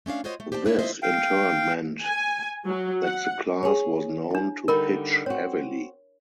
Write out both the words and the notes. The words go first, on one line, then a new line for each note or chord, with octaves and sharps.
This in turn meant that the class was known to pitch heavily.
A3 C#4 D4 F5
F4 F#4 C5 C#5 D#5
A3
G4 C5 D5 G5 A5
C#4 D4 E4 C#5
E4 F4 C5 D#5 E5
F5 G5
G#5
F#3
F#5
G#4 C#5
D4 E4
D3 G3 D#4 A#4 B5
C4 F#4 C#5